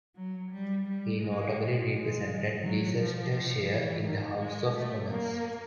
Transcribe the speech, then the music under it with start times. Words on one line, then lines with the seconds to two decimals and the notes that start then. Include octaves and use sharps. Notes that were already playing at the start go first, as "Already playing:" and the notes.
He notably represented Leicestershire in the House of Commons.
0.16 F#3
0.51 G3
0.86 G3
1.22 G#3
1.92 G#3
2.63 F#3
2.98 F3
3.34 F3
3.68 E3
4.03 D#3
4.38 G#3
4.74 A3
5.09 A#3